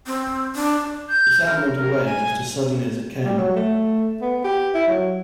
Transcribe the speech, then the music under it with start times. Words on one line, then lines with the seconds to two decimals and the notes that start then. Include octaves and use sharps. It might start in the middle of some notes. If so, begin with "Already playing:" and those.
The sound went away just as suddenly as it came.
0.07 C4
0.56 D4
1.09 G6
1.46 A#4
1.77 A#4
2.05 G#5
3.25 G3
3.37 F#3
3.56 A3
4.21 B3
4.44 G4
4.74 E4
4.88 F#3